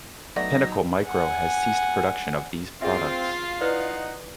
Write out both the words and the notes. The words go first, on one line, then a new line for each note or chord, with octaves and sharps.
Pinnacle Micro has ceased production of these products.
F#3 A3 B3 D#4 D5 A#5 E6 A#6
F#5 G#5
C4 F4 G#4 E5 F5
D#4 E4 B4 D5 D#5 F#5